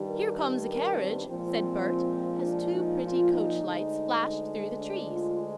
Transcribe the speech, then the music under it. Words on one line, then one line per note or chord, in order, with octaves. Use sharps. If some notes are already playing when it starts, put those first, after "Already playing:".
"Here comes a carriage," said Bert, as two pretty coach lights flashed through the trees.
Already playing: G2 D#3 G3
A#4
G4
A#4
C4
A#2 F3 G#3 C4
D4
D#4
F4
D#4
D2 D3 G#3
D4
F4